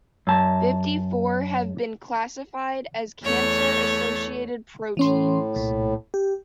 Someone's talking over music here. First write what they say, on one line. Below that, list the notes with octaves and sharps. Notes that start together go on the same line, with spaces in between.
Fifty-four have been classified as cancer associated proteins.
F#2 A5
E2 A3 C#5 A6
A2 E3 C#4 C6
C2 A#2
G4